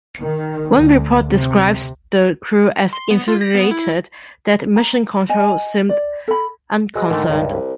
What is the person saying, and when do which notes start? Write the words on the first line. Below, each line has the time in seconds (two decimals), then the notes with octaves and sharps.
One report describes the crew as "infuriated" that Mission Control seemed unconcerned.
0.18 D#3
0.73 D2
1.27 C3
2.93 C6
3.11 B3
3.28 F4
3.41 A#6
3.55 B3
3.71 E4
4.76 A#5
5.29 D#5 G#5
5.89 D5
6.28 A4 B5
6.95 G#3 F#4 B4
7.10 G#2 D3 D#3 A3
7.29 C#2 G2
7.52 C2